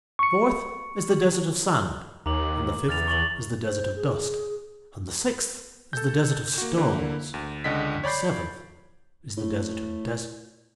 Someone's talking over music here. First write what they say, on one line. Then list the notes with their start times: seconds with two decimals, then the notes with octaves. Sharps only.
The fourth is the desert of sand, and the fifth is the desert of dust, and the sixth is the desert of stones, and the seventh is the Desert of Deserts.
0.19 C#6 C#7
2.26 D#2 A#5 D6 F#7
2.88 E2 F6 A6 F7
3.08 C#6 A6 F#7
3.64 C5
3.95 G#4
5.93 A4 G6
6.58 A#3 F#4
6.76 D3 A#3 E4
7.34 D2
7.64 C#2 D3 D#5 F#5 B6
8.04 C#5 D5 B5 G6 C7
9.37 A2